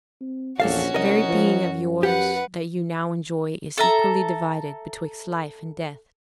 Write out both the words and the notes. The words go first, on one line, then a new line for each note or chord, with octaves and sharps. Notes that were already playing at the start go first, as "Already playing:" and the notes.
This very being of yours that you now enjoy is equally divided betwixt life and death.
C4
A#1 E2 C#4 F#4 A4 F5
C2 A#4 D#5
F3
F#2
G4 B4 F#5
A4 E5 A#5